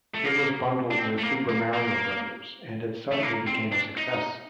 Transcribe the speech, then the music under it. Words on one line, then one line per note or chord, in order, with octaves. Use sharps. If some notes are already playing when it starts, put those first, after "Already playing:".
It was bundled with "Super Mario Brothers" and it suddenly became a success.
A3
A#3
D4
C4
A3
A#3
A#3
A#3
A3
A#3
C4
D4
D#4